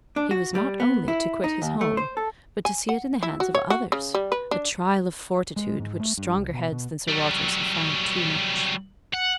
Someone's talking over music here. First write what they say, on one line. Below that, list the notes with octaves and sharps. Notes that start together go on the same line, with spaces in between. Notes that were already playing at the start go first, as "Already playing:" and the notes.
He was not only to quit his home, but to see it in the hands of others; a trial of fortitude, which stronger heads than Sir Walter's have found too much.
D4
F#4
G3
B3
E4
D#4
D#2
A3
C5
A4
G#5
F#5
E4
F#4
C#5
F#4
C#3
G3
B4
D4
G#3
G#2
A3
G2
C2
B2
B2
F#3 G3
F#5